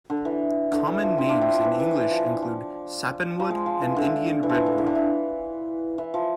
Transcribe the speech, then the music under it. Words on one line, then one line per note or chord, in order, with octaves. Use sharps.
Common names in English include sappanwood and Indian redwood.
D3
E3
D3
E3
F3
C4 E4
D4 F4
C4 E4
F3
E3
E3
E3
F3
E3
F3
F3
G#3
F3
E3
D3
E3
F3
E3
D3
E3
D3
E3
E3
F3